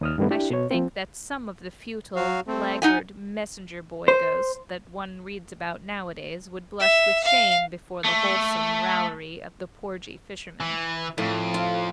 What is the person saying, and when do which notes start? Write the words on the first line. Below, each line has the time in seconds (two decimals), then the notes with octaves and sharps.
I should think that some of the futile, laggard messenger-boy ghosts that one reads about nowadays would blush with shame before the wholesome raillery of the porgy fisherman.
0.01 D#2 D#6 F6
0.18 G2 D#3 G3 A3 B3
0.31 D4 E4 G4
0.50 B2 C#5
0.71 F3 C4
2.16 F#3 F#4 F5
2.47 A3 C4
2.82 D#4 F#5 G#5
4.08 C5
6.80 E5
7.23 F5
8.04 A3
10.60 E3
11.18 F2 A2
11.54 F4